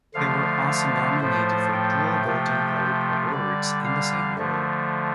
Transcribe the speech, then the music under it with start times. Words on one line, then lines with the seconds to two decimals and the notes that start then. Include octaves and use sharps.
They were also nominated for dual Golden Globe Awards in the same year.
0.14 D3 F3 A3 F5
0.67 F5
1.20 A2 F3 A3 C5
1.73 G5
2.26 C3 F3 A3
3.31 D3 G3 D5
3.85 F5
4.38 D3 F3 A3